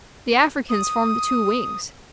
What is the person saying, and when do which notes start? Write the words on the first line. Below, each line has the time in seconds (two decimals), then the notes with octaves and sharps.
The Africans formed the two wings.
0.70 D#6